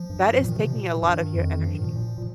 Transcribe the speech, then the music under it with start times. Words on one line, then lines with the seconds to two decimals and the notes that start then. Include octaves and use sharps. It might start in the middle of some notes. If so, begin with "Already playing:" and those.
that is taking a lot of your energy.
Already playing: F3
0.09 G2
0.41 A#2 F3
0.48 D#3
0.56 C3 F3
0.72 A#2
1.02 G2 D#3
1.34 F2
1.64 G2 F3
1.75 D#3
1.80 A#2 F3
1.95 A#2
2.18 A#2